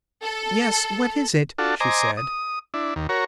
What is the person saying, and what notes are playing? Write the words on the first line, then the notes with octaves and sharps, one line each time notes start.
"Yes, what is it?" she said.
A4
D4 F4 F#4 A4
C5 D#5 G#5 A#5 D6
D#6
D4 E4
D#2
F#4 A#4 C#5